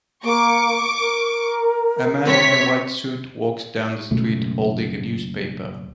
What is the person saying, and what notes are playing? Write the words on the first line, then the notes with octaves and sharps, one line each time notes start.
A man in a white suit walks down the street holding a newspaper.
A#3 C#6 D6
A#4
C3 C#5 B6
F#1 C#2 B2 A3